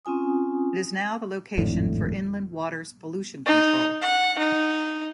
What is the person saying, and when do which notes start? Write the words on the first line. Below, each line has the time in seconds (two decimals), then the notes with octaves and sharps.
It is now the location for Inland Waters Pollution Control.
0.05 C4 C#4 F4 G#5 D#6
1.58 G#1 F2 A2 D3
3.46 D#4
4.01 F#5
4.39 D#4